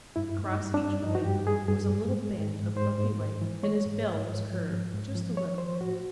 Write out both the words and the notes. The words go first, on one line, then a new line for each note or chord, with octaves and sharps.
Across each wing was a little band of buffy-white, and his bill was curved just a little.
G2 E4
G2
D#4
G3
D4
G2
G2 D#4
F#4
G2 G4
G3 G#4
G2 G#4
G#2
G#3
G#2
G#2
G#2 C5
G#2
G#2
E3
G#3 C#5
G#2
G#2
G#2
F3
G#2
G#2
F3
F3 C#5
F3 C5
A2 F#4